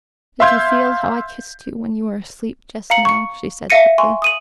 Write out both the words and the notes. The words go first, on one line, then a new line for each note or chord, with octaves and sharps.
"Did you feel how I kissed you when you were asleep just now?" she said thickly.
E5 F5 C6 G6 G#6
F5 A#5 C#7 F#7
C#6 C#7
E5 F5 A#6 C#7 D#7
G#5 C6 C#6
D#6 D#7 F#7